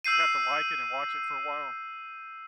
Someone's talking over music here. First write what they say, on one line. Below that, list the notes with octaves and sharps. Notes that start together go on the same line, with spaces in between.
You have to like it and watch it for a while?
E6 G6 C7 D#7